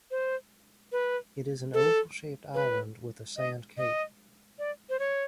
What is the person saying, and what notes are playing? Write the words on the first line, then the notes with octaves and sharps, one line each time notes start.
It is an oval-shaped island with a sand cape.
C5
B4
A4
B4
D#5
D#5
D5
C5
C#5